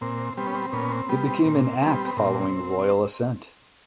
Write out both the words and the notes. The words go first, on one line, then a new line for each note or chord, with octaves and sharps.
It became an Act following Royal Assent.
A#2 C4
G3 B3 C4
C#4
C4
A#2 B3 C#4
C4
G3 B3
C4
A#2
G3 B3
B3
A#2 C4